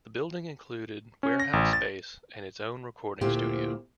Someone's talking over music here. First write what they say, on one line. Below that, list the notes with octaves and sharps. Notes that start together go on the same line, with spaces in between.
The building included warehouse space and its own recording studio.
C#4
A#6
A1
A6
D2 A#2 A#3 E4 G4 C5